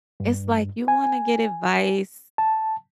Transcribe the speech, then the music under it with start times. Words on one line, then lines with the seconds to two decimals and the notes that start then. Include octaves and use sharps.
It's like you wanna get advice
0.20 G2
0.88 G#5
2.38 A5